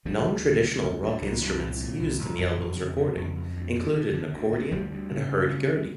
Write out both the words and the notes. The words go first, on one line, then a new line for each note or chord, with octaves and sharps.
Non-traditional rock instruments used in the album's recording included an accordion and a hurdy-gurdy.
D2 F3 G3
D2
D3
D3
D2
D2
C2 E3 F#3
C2
A#2
A#2
C2
C2
F2 E3 F#3
F2
C#3
C#3
F2
F2
D2
D2
D3
D3
D2
D2
D2 F3 G3
D2
C#3
C#3
D2
D2